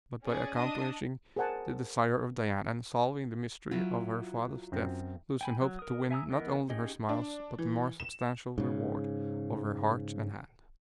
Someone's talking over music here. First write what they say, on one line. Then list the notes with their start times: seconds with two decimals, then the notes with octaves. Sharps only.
But by accomplishing the desire of Diana, and solving the mystery of her father's death, Lucian hoped to win not only her smiles but the more substantial reward of her heart and hand.
0.24 C#4 G#4 D5
0.55 D4 D#5 D#6
1.36 G#4 A#4 C5 F#5 G#5 A5
3.71 F#3 E4 F4
4.72 F#2 C4
5.41 G5 G#5 B5
5.61 F#3
5.79 A#4 D#6
6.11 E5 G#5 A#5 D#6 E6
6.30 E3 B3 A#4 D#5
6.69 C#4 D#4 G4 G#4 D#5
7.09 D4
7.58 E3
8.00 E7
8.58 G#2 C#3